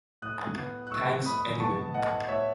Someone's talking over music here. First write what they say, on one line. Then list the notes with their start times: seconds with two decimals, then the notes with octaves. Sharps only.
Thanks anyway.
0.22 A2 D#6 F#6
0.57 B3
0.87 F#6
0.91 A2 C#6 E6
1.25 A2 B5 D#6
1.60 B3 A5 C#6
1.94 A2 D#5 F#5
2.28 A2 C#5 E5